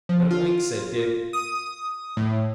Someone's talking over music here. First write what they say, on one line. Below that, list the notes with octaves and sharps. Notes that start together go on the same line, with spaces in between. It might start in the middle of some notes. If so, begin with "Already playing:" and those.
"Let 'em wink," said Dick.
F3
F4
D#6
A2